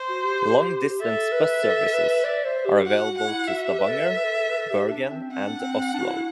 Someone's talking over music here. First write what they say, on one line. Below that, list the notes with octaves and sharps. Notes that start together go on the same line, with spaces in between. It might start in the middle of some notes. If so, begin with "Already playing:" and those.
Long distance bus services are available to Stavanger, Bergen, and Oslo.
Already playing: C5
F#4
G4
G4
A4 E5
B4
A4
A4
B4
D5
C5
G4
F#4 F#5
F#4
F#5
E4
F#4 E5
G4
B4
A4
A4
B4
A4
A4
B4
A4
G4
D4
C4
C4 F#5
D4
C4
D4
F#4
E4